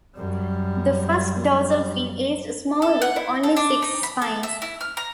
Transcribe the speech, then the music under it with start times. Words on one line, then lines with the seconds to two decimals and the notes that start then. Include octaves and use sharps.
The first dorsal fin is small with only six spines.
0.17 F#2 G3
2.82 A4
3.02 F#5
3.16 E4
3.43 A4
3.57 D4
3.82 D#4
4.03 B5
4.22 A4
4.43 E5
4.62 E4
4.81 F6
4.97 A#5